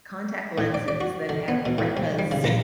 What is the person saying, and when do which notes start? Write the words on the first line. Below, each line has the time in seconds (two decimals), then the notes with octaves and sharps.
contact lenses that have retinas
0.58 A2
0.74 D5
0.88 D5
1.01 F#4
1.29 D3
1.48 B3
1.66 B2
1.78 A2
1.97 C3
2.19 G3
2.31 C#3
2.44 A#1